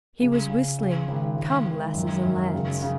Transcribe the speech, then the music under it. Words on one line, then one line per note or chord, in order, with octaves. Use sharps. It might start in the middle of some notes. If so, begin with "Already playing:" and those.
He was whistling "Come, Lasses and Lads."
C#3
C#3
C#3
G#1
G#1
G#1
F#2
F#2
C#3
C#3